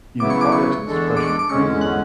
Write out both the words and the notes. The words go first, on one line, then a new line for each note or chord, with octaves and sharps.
You know, probably up to this Russia-Ukraine war,
C#3 F#3 B3 E4 D6
C#6
D6
C#6
E2 D3 G#3 D4 A4
D6
C#6
D6
D6
E2 D3 G#3 C#4 C#6
F#5